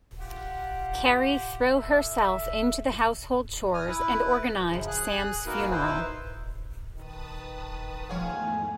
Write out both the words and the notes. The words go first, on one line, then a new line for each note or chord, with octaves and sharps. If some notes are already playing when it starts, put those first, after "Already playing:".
Carrie throw herself into the household chores and organised Sam's funeral.
F4 G4 F#5
A2 E5
G#5 D#6 F6
E4 B4
F#2 C#3 F3
G#4 F#6
A#3 D#4 F#4 G#4 A#4 B4
D#4 E4 B4 C5
D#3 B4 A5 D#6
E2 G#2 F3 A3 G#4 C#5 F5 F#5